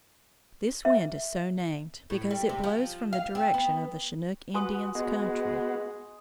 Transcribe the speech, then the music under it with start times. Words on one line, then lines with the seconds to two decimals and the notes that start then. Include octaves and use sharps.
This wind is so named because it blows from the direction of the Chinook Indians' country.
0.85 E5
2.10 A2
2.31 G3
2.49 C3
2.64 F3
3.13 F5
3.35 C4
3.54 B3
4.54 F#4 B4 G#5 C6 D#6
4.95 G#3 B3 F#4